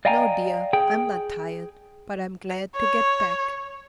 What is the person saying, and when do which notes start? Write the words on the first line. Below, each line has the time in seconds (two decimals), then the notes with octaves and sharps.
"No, dear, I'm not tired--but I'm glad to get back."
0.05 D5 D#5 F5 G5 G#5 A#5
0.73 G#4 G5
2.76 C#5